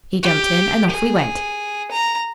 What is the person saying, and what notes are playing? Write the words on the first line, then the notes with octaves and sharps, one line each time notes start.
He jumped in and off we went.
G4
G#4
A#5